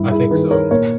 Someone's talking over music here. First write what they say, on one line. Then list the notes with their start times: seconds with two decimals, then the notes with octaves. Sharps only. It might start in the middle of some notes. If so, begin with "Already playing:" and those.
I think so.
Already playing: G2 D#3 E4
0.11 E4 G#4
0.31 D#3 G#4 B4
0.51 A#4 C#5
0.71 A#2 A#4 C#5